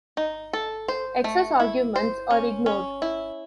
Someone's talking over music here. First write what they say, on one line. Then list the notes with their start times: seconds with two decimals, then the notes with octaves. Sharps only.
Excess arguments are ignored.
0.17 D#4
0.53 A4
0.88 C5
1.24 A3
1.60 E4
1.96 C5
2.30 C#4
2.66 C#4
3.02 E4